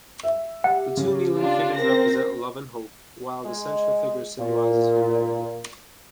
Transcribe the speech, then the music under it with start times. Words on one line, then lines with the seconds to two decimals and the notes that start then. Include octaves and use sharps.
The two kneeling figures represent Love and Hope, while the central figure symbolises Humanity.
0.23 E5
0.64 G4 F#5
0.97 C#3
1.37 D4 F4
1.77 C4 A#4 A#6
3.45 G#3
4.39 A#2